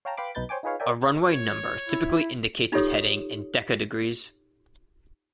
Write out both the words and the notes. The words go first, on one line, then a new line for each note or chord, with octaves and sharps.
A runway number typically indicates its heading in decadegrees.
C#5 F5 G5 A5 A#5
B4 F5 G5 B5 C6 D6
B1 B2 D#4 B4 G6 A6
C5 C#5 G5 G#5 D6
D#4 F4 G#4 B4 C#5 F5
A#4 C#5 D5 E5 G5 G#5
C#5
E4
D#4 F4 G4 A4 C#5 D#6